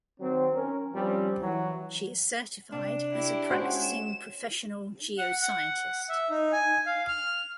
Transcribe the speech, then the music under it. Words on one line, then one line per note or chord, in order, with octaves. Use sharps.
She is certified as a Practicing Professional Geoscientist.
D#3 F#3 C4
C#4 A#4
G2 F3 G3 C4 C#4
E3 F#3
C3 D4
E4 G4
G#3 C#4 F#4 C5 F#5
E7
F#5
F#5
E5
D#4
G#5
F5
F6